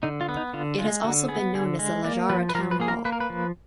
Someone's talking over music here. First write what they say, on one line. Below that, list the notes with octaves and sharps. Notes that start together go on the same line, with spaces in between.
It has also been known as the La Jara Town Hall.
D3 D#4
F4
B3
D#4
D3 F4
G#3 F4
D3 F#4
B3 G#4
D3 G#4
G#3
A#3 D5
F3 B4
B4
F3 A#4
B4
A#3 G#4
A#4
A#3 B4
A#4
B4
F3